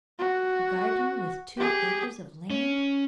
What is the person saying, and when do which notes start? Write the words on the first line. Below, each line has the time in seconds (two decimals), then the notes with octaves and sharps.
"A garden with two acres of land!"
0.19 F#4
1.57 G4 G#4
2.50 C#4